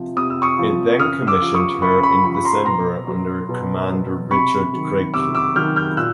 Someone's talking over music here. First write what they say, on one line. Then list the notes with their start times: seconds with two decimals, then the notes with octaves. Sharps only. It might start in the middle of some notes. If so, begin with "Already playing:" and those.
It then commissioned her in December under Commander Richard Creyke.
Already playing: C3 F3
0.16 C3 D#6
0.30 E6
0.42 C#6 D#6
0.59 F3
1.00 C#3 D#6 F6
1.27 D6 E6
1.42 F3
1.54 C#6 D#6
1.82 C#3 B5 C#6
2.03 B5 C#6
2.24 F3 B5 C#6
2.35 B5
2.45 A#5 C6
2.65 B2 A#5 C6
3.08 F#3
3.49 B2
3.90 F#3
4.31 C3 B5 C#6
4.73 D#3 F#3
5.14 C3 D6 E6
5.35 D6 E6
5.56 D#3 F#3 F6 G6
5.76 F6 G6
5.97 A#2 E6 F#6